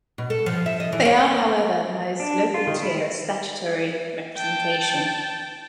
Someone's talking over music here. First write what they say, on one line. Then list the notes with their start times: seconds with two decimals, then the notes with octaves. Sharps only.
They are however the most local tier of statutory representation.
0.18 B2
0.30 A4
0.46 F3
0.66 E5
0.80 D#5
0.93 E3
1.05 C#5
2.20 D4
2.54 F4
2.67 D#3
2.82 E4
4.37 G5 A5